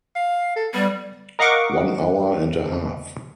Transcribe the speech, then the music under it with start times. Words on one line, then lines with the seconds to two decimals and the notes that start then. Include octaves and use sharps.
One hour and a half.
0.16 F5
0.56 A4
0.74 G3 B3
1.39 A#4 D#5 F5 F#5 C#6 D6